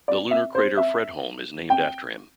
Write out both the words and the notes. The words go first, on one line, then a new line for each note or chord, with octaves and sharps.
The lunar crater Fredholm is named after him.
D5
E5
C5
E5
G5